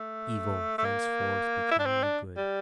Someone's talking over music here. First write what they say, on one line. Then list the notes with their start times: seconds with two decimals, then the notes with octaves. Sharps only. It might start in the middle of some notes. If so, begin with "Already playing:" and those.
Evil thenceforth became my good.
Already playing: A3
0.78 A3
0.85 A#3
1.71 E4
1.79 D4
1.86 C4
2.03 D4
2.37 G3